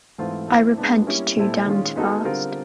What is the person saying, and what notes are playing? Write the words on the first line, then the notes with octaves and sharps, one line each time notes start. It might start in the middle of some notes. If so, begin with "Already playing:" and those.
I repent too damned fast.
G#2 E3 A3 C4 F4
A3 C4 E4 A4
G#3 B3 D4
G3 A#3 C#4 E4
A#2 G3 C4 E4 A4
D#3 G#3 C#4 F4
G#3 B3 D#4 F#4 A4
D3 G3 C4 F4 A#4